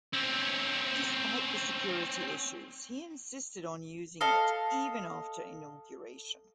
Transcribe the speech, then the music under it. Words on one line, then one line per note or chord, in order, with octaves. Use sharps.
Despite the security issues, he insisted on using it even after inauguration.
C4 C#4
A4 D#5 F5